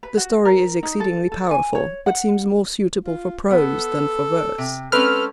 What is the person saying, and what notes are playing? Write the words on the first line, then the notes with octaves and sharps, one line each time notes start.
The story is exceedingly powerful, but seems more suitable for prose than for verse.
B4
F#4
A#4
D#4
A4
A4
G#5
C#5
F#5
F4
B3 A4
C3
G#3 C4 C#4 A4 B4 F6